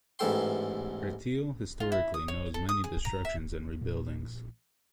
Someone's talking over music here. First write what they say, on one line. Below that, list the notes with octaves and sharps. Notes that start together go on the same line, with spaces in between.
Breteuil historically knows many destructions and re-buildings.
A1 E2 G#2 A4 G5 C6
F4
E4
D#6
C#5
A4
D#6
G#4
A#5
E5
A#1